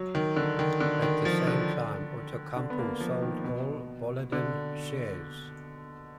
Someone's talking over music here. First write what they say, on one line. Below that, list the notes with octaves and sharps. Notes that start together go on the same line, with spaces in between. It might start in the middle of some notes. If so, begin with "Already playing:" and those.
At the same time Outokumpu sold all Boliden shares.
Already playing: F#3
D#3
D3
D#3
D3
D#3
F3
D3
D3
B3
A#3
F3
D#3
B2
D3